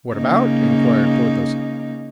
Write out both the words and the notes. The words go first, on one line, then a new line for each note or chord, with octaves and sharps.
"What about?" inquired Porthos.
C#3 A#3 D#4